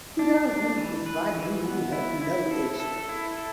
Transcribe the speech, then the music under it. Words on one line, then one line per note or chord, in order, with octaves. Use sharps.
Kudahuvadhoo had no airstrip.
D4
D4
E3
B4
E3
B3
E4
E4
A4
A4
E4
A4